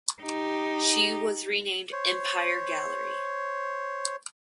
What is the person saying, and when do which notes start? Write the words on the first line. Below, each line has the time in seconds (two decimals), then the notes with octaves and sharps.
She was renamed "Empire Gallery".
0.22 D#4 G4
1.92 C5 C#5